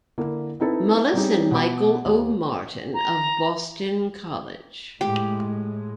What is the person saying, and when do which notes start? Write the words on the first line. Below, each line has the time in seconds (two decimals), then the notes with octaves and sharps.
Mullis and Michael O. Martin of Boston College.
0.18 D3 A#3 E4
0.60 C4 D#4 E4 A4 B4
1.14 G3 C4 C#4 D#4 G4 G#4
1.51 B2 B5 D6
2.05 D#2
2.94 A#5
5.01 A2 G#3 G4